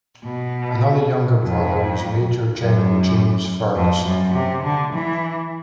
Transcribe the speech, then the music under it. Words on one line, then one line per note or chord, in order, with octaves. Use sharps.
Another younger brother was Major General James Ferguson.
B2
F2
F#2
F2
F#2
C3
D3
E3